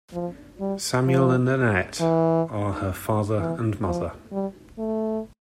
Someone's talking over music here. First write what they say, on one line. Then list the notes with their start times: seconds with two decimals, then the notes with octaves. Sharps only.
Samuel and Annette are her father and mother.
0.13 F3
0.60 G3
1.06 F3
2.00 E3
3.39 E3
3.86 F3
4.32 G3
4.78 A3